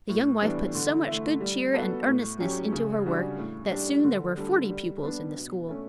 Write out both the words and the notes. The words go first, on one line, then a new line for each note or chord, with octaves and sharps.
The young wife put so much good cheer and earnestness into her work, that soon there were forty pupils in the school.
A2
E3 G3 B3 D4
D3
A3 E4
G3
B3 F#4 A4
A2
F#3 C#4 G4
C#3
G3 D4 F#4
A2
G3 D4 G4
D3
G3 D4 A4
G3
B3 D4
B2
A3 C#4